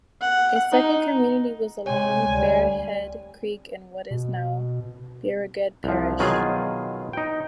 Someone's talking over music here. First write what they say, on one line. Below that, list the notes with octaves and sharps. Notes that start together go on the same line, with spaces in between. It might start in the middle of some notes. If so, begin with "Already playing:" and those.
A second community was along Bearhead creek in what is now Beauregard Parish.
F#5
D#4
C3 G#3 C#5 G5 G#5 C6
D2 G3
B2
C2 F3
B2 D#3 F#3 F4 G#4
D#4 G5